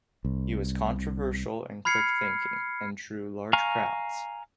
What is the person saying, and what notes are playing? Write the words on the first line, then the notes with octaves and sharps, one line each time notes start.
He was controversial and quick-thinking, and drew large crowds.
C2
B5 F6 G#6 C7 C#7
F5 G#5 A#5 C#6 F6